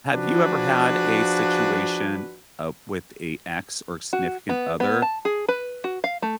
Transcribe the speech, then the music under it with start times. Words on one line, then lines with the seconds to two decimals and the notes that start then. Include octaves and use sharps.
Have you ever had a situation, uh, with a ex or significant other,
0.13 F3 D4 F#4 G#4 B4
4.13 F#4
4.49 B3
4.80 B3
5.02 A5
5.25 G#4
5.49 B4
5.84 F#4
6.04 F5
6.22 A3